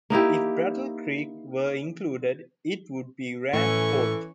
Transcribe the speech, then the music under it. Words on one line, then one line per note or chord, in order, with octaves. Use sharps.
If Battle Creek were included, it would be ranked fourth.
A#3 D#4 E4 G4
A2 E3 C#4 A4 C#6